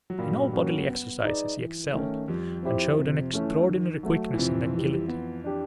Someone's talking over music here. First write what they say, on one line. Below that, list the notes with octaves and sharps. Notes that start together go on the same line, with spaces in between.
In all bodily exercises he excelled, and showed an extraordinary quickness and agility.
F#3
G2 A#2 G3
F#3 A#3 C#4 F#4
B3
D#4 G#4 B4 D5
E3
D#3 A3 C#4
F2 F3 G3
C4 E4 G4 C5
C3
E3 A3 C#4
D#3
F#3 A3
E3
F2 C3 F3
E3 G3
B3
D4 G4